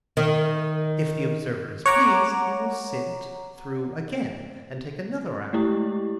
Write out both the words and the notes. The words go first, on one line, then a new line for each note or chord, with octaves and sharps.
If the observer is pleased, he will sit it through again and take another hour.
D#3
C#5 F#5 A#5 D6
G#3 A3 E4 G4